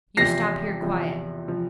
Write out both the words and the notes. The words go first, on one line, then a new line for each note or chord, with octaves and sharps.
You stop here quiet.
E2 C3 F3 A#6 C7
E2 C3 F3
C3 F3